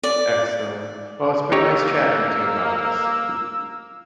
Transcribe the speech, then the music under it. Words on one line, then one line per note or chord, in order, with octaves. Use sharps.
Excellent. Well, it's been nice chatting with you about this.
D5
A#3 D#4 G4 C#5 E6